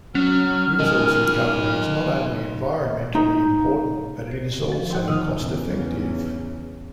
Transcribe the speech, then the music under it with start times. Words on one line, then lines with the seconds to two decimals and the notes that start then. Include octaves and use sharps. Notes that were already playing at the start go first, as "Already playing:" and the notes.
Resource recovery is not only environmentally important, but it is also cost-effective.
0.15 F#3 C#4 F6
0.79 D#3 G#3 A4 D#5
3.15 D#4
4.31 C5
4.72 F3
4.91 F#5 G5 C6
5.08 C3 D#3 D#4 D#5 D#6 F6
5.38 E2 C#3